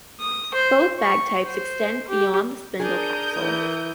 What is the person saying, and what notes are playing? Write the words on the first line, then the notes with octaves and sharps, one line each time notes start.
Both bag types extend beyond the spindle capsule.
D#6
C5
C#6
C5
G4
D4 G#4 A#4 D#6 G6
E3